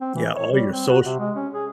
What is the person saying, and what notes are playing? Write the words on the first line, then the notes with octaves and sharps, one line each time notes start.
yeah, all your soc
C4
E3
C#5
G3
C4
F#4
C3
G#3
C#4
G#4